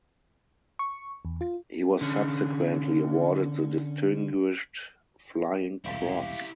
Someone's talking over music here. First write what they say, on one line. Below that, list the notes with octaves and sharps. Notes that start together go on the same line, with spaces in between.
He was subsequently awarded the Distinguished Flying Cross.
C#6
E2
F4
D3 C#4
E1 C2 E4 G4 F5